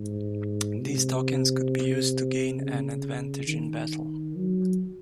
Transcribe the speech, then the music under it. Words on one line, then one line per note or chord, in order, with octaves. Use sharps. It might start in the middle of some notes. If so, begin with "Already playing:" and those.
These tokens could be used to gain an advantage in battle.
Already playing: G#2
C3
C#3
D#3
F#3